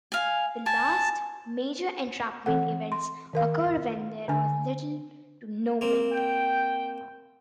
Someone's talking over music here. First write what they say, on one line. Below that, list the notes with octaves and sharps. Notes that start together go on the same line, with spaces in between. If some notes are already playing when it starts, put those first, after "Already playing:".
The last major entrapment events occurred when there was little to no wind.
F5 G#5
G#5 A5
E3 C4 A4 F#5
C6
D#3 A#4 F5
D3 D4 G#5
A#3 C4
G5